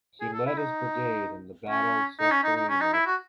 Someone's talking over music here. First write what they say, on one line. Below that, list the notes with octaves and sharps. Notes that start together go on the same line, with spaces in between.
He led his brigade in the Battle of Solferino.
G#4
A4
E4
D#4
C#4
D#4
C#4
D#4
D#4
C#4
D#4
E4
F#4